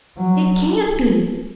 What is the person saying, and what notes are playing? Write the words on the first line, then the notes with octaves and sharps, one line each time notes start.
It CAN'T be.
F#3